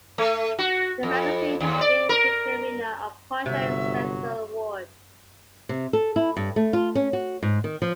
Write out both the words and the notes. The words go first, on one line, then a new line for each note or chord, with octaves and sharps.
The magazine has been a frequent winner of Project Censored awards.
A3
F#4
F2
D#2
D5
A#4
G1 C3 F#3 E5
C3
A4
E4
G2
A3
F4
C#4
F#4
G#2
D#3
F3